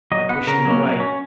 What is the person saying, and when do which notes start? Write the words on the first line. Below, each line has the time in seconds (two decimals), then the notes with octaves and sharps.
I pushed him away.
0.12 F#3 D#5
0.29 B3 F#5
0.47 C#3 A#4
0.65 F#3 A#3 C#4
0.83 F#3
1.00 C#4